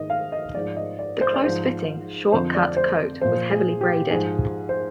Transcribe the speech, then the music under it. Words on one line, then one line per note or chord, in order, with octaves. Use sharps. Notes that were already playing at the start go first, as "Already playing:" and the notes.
The close fitting, short-cut coat was heavily braided.
Already playing: G#2 D#3 D#5
F5
D#5
G#2 F3 D5
D#5
D5
C5
D5
G#2 F3 C5
F2 D3 F3 C5
D5
C5
A#2 F3 C5
G#4
G4
G#2 F3 G#4
C5